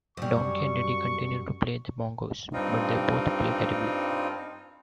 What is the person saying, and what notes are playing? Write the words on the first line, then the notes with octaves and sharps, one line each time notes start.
Donkey and Diddy continue to play the bongos, but they both play terribly.
F#2 G3 C#6
G2 G3 C4 D#4 F4